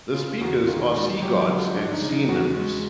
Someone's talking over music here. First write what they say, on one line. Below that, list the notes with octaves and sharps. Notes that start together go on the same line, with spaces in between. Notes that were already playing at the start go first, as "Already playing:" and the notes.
The speakers are sea-gods and sea-nymphs.
C#3 F4
E2 F#4
D#3 F4
G#3 F#4
F#3 G4
G4
D3
F4
F3 D4
D#4
C#3
D#4
E2 F#4
G#3